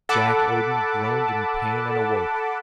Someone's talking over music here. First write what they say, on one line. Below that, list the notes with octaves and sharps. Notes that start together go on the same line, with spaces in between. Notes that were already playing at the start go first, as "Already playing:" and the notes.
Jack Odin groaned in pain and awoke.
A4 F#5 A5 B5 D6